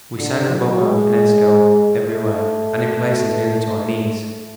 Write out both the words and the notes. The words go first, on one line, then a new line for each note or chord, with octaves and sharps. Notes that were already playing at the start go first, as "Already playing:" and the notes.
We sank above our finnesko everywhere, and in places nearly to our knees.
D3
F#3
G#3
A3